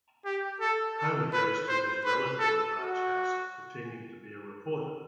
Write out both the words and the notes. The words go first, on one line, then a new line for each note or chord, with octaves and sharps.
Homer goes to his relatively large house pretending to be a reporter.
G4
A4
A4
B4
C5
B4
A4
F#4